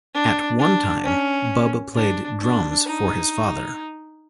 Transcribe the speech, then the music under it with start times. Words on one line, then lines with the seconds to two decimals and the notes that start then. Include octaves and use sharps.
At one time, Bub played drums for his father.
0.14 D4
0.59 D4
1.04 C#4
1.95 D4
2.41 D4
2.86 D#4